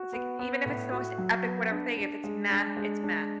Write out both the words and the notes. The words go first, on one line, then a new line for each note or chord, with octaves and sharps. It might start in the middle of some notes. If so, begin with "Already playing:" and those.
It's like, even if it's the most epic, whatever thing, if it's "meh," it's "meh."
Already playing: F#4
B3
B3
A2
F#4
F#3
B3
D4
D4
G#3
D4
G#3
D4